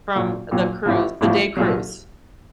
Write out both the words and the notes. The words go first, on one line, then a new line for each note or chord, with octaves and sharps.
from the cruise the day cruise.
A#1 A#2 F#3
A#1 A#2 F#3
A1 A2 F3
A1 A2 F3
C2 A#2 F#3